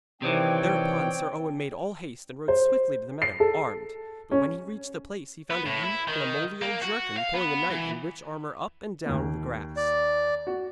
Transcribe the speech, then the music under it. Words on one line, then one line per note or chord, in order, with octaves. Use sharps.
Thereupon Sir Owen made all haste, and rode swiftly to the meadow, armed; but when he reached the place, he found a youth in a mouldy old jerkin pulling a knight in rich armour up and down the grass.
C3 D#3 E3 C4 C#5 D5 G5
C5
C7
A4
C#4
B3
A2
E4
D#3
A#3
F#4
F5
B3
E3
D#2 A#3
D5
F#4